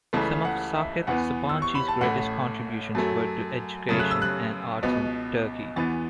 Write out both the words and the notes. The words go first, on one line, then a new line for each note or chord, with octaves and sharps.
Some of Sakip Sabanci's greatest contributions were to education and arts in Turkey.
C#2 C#3 E3 A3 A5
F#5
E5
E2 E3 B3 F#5
E6
C#6
B5
A5
A1 A2 A3 F#5
F#2 F#3 A3
F#2 C#3 A3 A6
F#6
E6
F#6
C#2 B2 B3
E2 E3 B3 A6